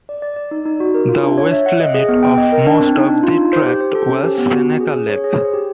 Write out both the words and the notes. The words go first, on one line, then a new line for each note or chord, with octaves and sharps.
The west limit of most of the tract was Seneca Lake.
D5
D5
D5
D#4
D#4
F#4
A#4
F4
D4
C#5
E5
F#5
D#5
G#4
B3
G5
D#5
A#4
D4
C4
D#4
D4
F4
D#4
C5
G4
C5
A4
C#4
G4
B3
F#4
C#4
G#4
G#4
C#5
G#4
C5
G4